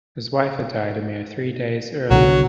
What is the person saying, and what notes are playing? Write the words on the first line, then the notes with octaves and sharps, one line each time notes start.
His wife had died a mere three days earlier.
C2 B2 D3 F#3